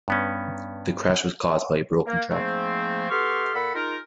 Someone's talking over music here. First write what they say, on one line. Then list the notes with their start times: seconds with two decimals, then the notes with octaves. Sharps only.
The crash was caused by a broken track.
0.08 G2 B3 C#4
2.06 A#3
2.30 G#2 F3 A3 A#3 C4
3.09 B3 G4 A4 C6 C#6 F6
3.53 A#2 A4 F#5 B5
3.74 G#3 D#4 F4 A#4